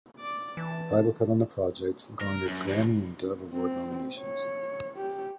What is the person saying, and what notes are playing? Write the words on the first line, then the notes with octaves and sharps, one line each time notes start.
The title cut on the project garnered Grammy and Dove Award nominations.
D5 D6
E3 A5
A#4
F#2
E2 B2
C4
C#5
G4